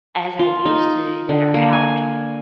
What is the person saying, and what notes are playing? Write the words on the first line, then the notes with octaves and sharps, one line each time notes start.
as I used to that are out
F4
D#4
D3
A#3
G#5